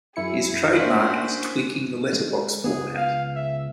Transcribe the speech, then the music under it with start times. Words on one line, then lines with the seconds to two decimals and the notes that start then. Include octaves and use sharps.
His trademark is tweaking the letterbox format.
0.16 F#2 E4 G#4 C#7
0.73 A#3 C#4 D4 E4 F#4 C5 F#6 B6
2.13 G#3
2.64 C#2 C#3 B3 G#4
2.97 F5
3.36 E5